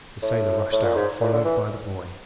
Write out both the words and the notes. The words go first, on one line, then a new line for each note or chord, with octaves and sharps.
The sailor rushed out, followed by the boy.
A2
A2
A#2
G#2
A#2
D3
E3